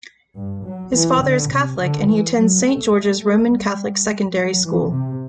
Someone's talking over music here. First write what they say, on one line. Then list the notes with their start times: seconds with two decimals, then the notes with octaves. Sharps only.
His father is Catholic, and he attended Saint George's Roman Catholic Secondary School.
0.37 G2
0.65 F#3
0.94 E3
1.22 D3
1.51 C3
1.79 D3
2.07 E3
2.36 F#3
2.64 A3
2.93 A3
3.21 A3
3.50 G3
4.35 F#3
4.64 E3
4.92 C3